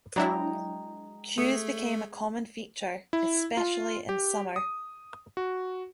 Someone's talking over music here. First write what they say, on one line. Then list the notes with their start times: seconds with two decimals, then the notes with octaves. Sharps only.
Queues became a common feature, especially in summer.
0.16 F#3 G#3 D4 E4 G5 A#5
1.38 A3 G#4
3.13 E4
3.57 F4
4.09 G4
4.56 D#6
5.37 F#4